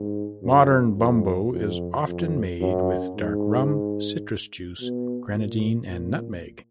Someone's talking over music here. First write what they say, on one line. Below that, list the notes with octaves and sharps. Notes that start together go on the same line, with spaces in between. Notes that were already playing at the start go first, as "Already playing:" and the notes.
Modern bumbo is often made with dark rum, citrus juice, Grenadine, and nutmeg.
Already playing: G#2
F#2
F2
F2
F2
F#2
G#2
B2
A#2
A#2